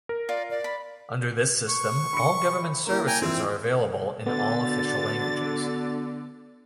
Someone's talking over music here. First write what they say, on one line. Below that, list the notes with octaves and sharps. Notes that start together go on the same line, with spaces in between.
Under this system, all government services are available in all official languages.
A#4
F4 D5
D5
B5
C#6
B5 C6 C#7
A#3 E4 A#4
G5 G#5 A#5
F2 E3 C4 E6
D3 B3 D4 F#4 A6